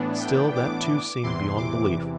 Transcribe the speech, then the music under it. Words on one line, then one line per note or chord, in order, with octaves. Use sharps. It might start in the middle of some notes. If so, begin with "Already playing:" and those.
Still, that too seemed beyond belief.
Already playing: A2 E3 B3 D4
G5
D6
E2 C3 E3 C6
D6